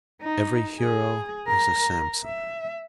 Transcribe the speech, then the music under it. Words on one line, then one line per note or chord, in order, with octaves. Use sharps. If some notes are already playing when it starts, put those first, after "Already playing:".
Every hero is a Samson.
D#4
G#4
A#4
E5